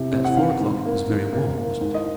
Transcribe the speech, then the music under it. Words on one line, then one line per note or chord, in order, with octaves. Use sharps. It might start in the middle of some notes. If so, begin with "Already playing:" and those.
"At four o'clock--it was very warm, wasn't it?"
Already playing: C3 C4
C4
F#5
D#3 F5
G#2
A#3
D#3
A#3
A#3
G#2
D#5